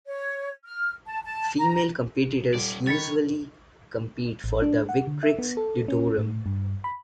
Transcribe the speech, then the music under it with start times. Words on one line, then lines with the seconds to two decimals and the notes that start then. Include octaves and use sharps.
Female competitors usually compete for the Victrix ludorum.
0.07 C#5
0.65 F6
1.07 A5
1.24 A5
1.58 A#5
2.54 D#1 C#4 D5
2.87 D#3 C#5 B5 A6 B6 C#7
4.44 A1
4.62 D4
4.89 F#5
5.07 D3
5.23 E5
5.39 B3
5.57 A4
5.88 C#4
6.18 A2
6.46 G2
6.84 B5